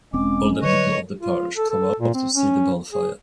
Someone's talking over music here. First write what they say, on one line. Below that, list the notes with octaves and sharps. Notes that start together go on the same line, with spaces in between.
All the people of the parish come out to see the bonfire.
E1 G#3 C4 C#4 D6
D3 F#3 G3 B4 C#5 D#5 C#6
F4
A4
A4
A#2
C4
C#4
G#4